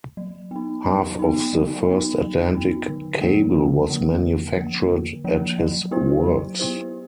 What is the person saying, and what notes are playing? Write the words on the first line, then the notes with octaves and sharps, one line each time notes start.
Half of the first Atlantic cable was manufactured at his works.
F#3
B3 D#4
F#3
B3 D#4
F#3
B3 D#4
F#3
B3 D#4
D3
F3 A#3
D3
F3 A#3
D3
F3 A#3
D3
F3 A#3
F#3
B3 E4 G4 C5
F#3
B3 E4 G4 C5